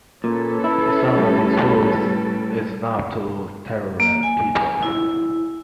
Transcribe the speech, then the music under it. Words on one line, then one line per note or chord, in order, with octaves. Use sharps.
The sound of its hooves is enough to terrorise people.
A#2 C#4 A4 B4
E4
A2 G3
A#3
G#5
E4